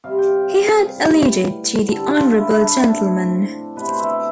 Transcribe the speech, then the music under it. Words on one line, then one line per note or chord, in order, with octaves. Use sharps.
He had alluded to the honourable gentleman.
C3 G3 C4 F5
G5
F5
A2 G3 B3
D3 G3 C4 A4
F4
E4
D4
E4
A2 F3 C4 D4
B2 A3 C4 B4
C5
E5
E5